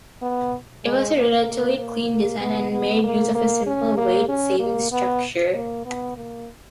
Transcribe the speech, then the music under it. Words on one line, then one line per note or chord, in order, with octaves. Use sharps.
It was a relatively clean design and made use of a simple, weight-saving structure.
B3
G#3
A#3
A#3
A#3
B3
B3
A#3
A#3
C#4
A#3
C#4
A#3
B3
A#3
B3
A#3